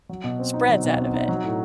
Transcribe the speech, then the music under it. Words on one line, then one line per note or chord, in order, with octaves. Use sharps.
spreads out of it.
F#3
B2
C4
D#4
F#3
B2
C4
D#4
F#3
A2